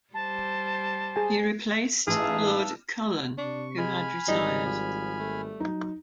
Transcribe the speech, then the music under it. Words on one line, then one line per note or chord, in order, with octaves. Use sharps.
He replaced Lord Cullen, who had retired.
G3 C5 A5
G#4 G#5
A1 D#4 G#4 B4 E5 F5 A5 E6
C3 D4 C#6
G#3 G#5 B5 F6
G#1 G3 D#4
F3
A3
F#3 D#4